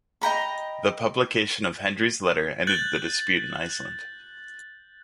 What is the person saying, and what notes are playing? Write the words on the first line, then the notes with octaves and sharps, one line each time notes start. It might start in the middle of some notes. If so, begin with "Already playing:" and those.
The publication of Hendry's letter ended the dispute in Iceland.
D#5 G5 A#5 B5
F#6 G6 A6 F#7